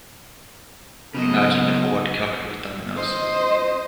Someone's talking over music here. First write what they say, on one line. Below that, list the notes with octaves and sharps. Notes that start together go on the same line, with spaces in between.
Imagine the board covered with dominoes.
C#3 F#3 B3 A4 D#5
C5 D#5